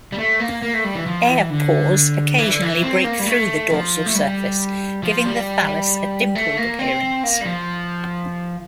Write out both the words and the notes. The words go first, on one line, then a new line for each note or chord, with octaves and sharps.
Air pores occasionally break through the dorsal surface, giving the thallus a dimpled appearance.
G3
A3
A#3
A#3
A3
G3
E3
F3
E3
D3
E3
D3
E3
C4
A#3
G3
A3
F3
A3
G3
F3
G3
A3
A#3
C4
A#3
G3
F3